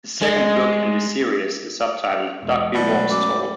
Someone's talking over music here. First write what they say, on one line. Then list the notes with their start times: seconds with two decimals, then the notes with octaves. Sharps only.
The second book in the series is subtitled "Dogby Walks Tall".
0.22 G#3
2.41 E2 B2 G#3
2.75 B2 F#3 G#3 A3 D5 B5
3.11 F#2 D6